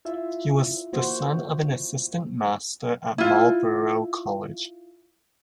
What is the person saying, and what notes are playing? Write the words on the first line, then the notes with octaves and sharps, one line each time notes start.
He was the son of an assistant master at Marlborough College.
E4 F4 E5
A#3 F#4 C5
E4 F4